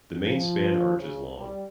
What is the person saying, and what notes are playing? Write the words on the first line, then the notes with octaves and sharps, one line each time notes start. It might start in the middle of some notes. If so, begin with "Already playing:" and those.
The main span arch is long.
F3
C#3
G3